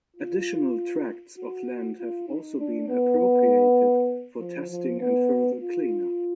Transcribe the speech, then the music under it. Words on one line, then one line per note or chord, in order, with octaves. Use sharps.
Additional tracts of land have also been appropriated for testing and further cleanup.
F4
F#4
F4
D#4
D4
B3
F3
F3
B3
F4